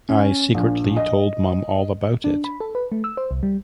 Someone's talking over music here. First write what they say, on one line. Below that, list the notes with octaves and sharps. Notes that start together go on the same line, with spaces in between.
I secretly told mum all about it.
C#4
A#1
D#5
D4
B5
A4
B4
A3
E6
C5
C2
G3